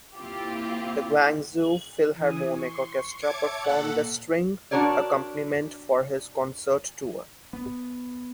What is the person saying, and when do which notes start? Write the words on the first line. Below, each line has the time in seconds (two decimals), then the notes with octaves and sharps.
The Guangzhou Philharmonic Orchestra performed the string accompaniment for his concert tour.
0.15 A#3 C4 E4 F4 G4
2.14 E3 G#5 D#6
2.54 C6 C#6
3.21 C#5 E5 A5 D6 G#6 C#7
3.64 A#2 A4 F#5
4.71 D4 F#4 A#4 C#5 D5
7.53 B3